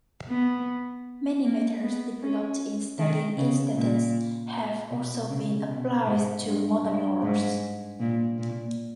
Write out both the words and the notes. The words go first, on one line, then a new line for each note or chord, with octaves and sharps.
Many methods developed in studying instantons have also been applied to monopoles.
B3
A#3
B3
C#4
D#3
C#3
A#2
B2
C#3
B2
G#2
G2
G2
G#2
A#2
A#2